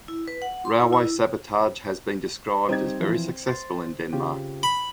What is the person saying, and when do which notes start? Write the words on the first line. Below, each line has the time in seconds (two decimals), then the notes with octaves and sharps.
Railway sabotage has been described as very successful in Denmark.
0.08 E4
0.28 B4
0.42 F#5
0.65 C6
0.81 E4
0.93 E4
2.69 G3 C4 D#4 G4 G#6
3.01 E3 F3 E4
3.47 C6 A6
4.13 C#3 F4 G4
4.63 B5